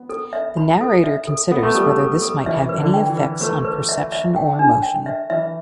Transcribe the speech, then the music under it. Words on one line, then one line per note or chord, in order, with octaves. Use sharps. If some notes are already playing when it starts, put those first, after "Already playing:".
The narrator considers whether this might have any effects on perception or motion.
Already playing: B3
A4
E5
B5
A4
E5
A4
B3 A4
A3
G3 A4
A3
A4
A4
E3 E5
B4
D3
G5
E3
B4
A3 B4
B4
E5
E5
G5
D4
G5
E5
E3 E5